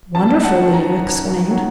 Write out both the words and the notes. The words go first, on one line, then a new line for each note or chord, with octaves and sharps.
"Wonderful!" Lea exclaimed.
F#2 A5
F#5
D#3 F#3
A#5
F#2
D#3 F#3